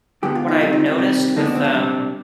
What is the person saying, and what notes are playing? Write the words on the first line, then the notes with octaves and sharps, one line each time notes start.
what I've noticed with um
G2 D3 G#3 B3 G4
F4
D#4
G#2 D#3 G3 C4 F4
D#4
C4
C3 D#3 G3
F2 D3 F3 G#3 B3 D#4
D4
C4
D4
C3 G3 C4